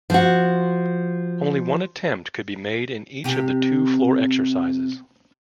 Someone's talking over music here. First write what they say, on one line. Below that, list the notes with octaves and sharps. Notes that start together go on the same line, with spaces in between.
Only one attempt could be made in each of the two floor exercises.
F3 F#4
C3 G4